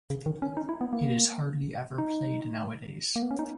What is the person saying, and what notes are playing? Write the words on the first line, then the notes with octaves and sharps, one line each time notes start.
It is hardly ever played nowadays.
C#3
D#3
C#4
D#4
E4
B3
A#3
D#4
A#3
B3
C#4
D#4